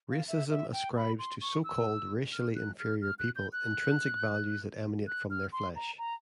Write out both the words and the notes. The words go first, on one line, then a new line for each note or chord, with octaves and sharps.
Racism ascribes to so-called racially inferior people intrinsic values that emanate from their flesh.
F5
E5
E5
G5
B5
C6
C#6
E6
F6
F#6
F6
F6
F#6
G6
F#6
F#6
F6
C6
A#5
A#5